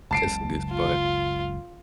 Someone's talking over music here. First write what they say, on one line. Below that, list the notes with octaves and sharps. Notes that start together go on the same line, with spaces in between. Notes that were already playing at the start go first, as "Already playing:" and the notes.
Yes, it is, but
F#1 C#2 A5 C7 D7
F4